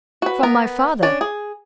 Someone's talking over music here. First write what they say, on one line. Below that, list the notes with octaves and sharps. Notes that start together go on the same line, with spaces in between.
"From my father?"
F#4 B4
B3 A#4 A#5
C#4 D4 D5
G#4